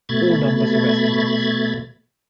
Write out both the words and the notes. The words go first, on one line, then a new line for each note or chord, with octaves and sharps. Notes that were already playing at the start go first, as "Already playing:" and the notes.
All numbers are estimates.
B2 A3 B5 G#6 A6